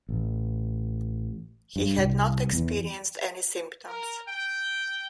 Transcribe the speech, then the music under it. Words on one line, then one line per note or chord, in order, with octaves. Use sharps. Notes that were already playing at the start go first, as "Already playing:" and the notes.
He had not experienced any symptoms.
A1
G2
C2
E2
A#4
G5